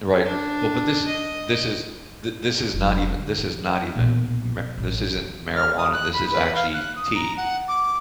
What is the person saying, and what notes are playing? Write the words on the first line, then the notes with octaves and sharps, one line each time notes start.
Right. Well, but this this is th this is not even this is not even ma this isn't marijuana. This is actually tea.
D4
D#5
F1 F#3
D3
E3
B1 A#2
A1
E3
F6
D#6
F#6
B5
B4
F5
F#6
D#6
A#5
F#5
D6